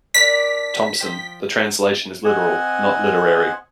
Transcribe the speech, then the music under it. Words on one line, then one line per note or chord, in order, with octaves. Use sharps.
Thomson; the translation is literal, not literary.
D4 A#4 D5 B6
F3 G5
C4 D#5 F#5 G#5